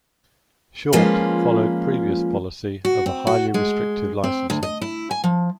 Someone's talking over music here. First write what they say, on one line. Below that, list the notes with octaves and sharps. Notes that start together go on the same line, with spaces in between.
Shortt followed previous policy of a highly restrictive licensing.
F3 G#3 A#3 C#4 F4 B4
F#4
C4
F#4
G#3
C4
D2
D#5
E4
G#5
F3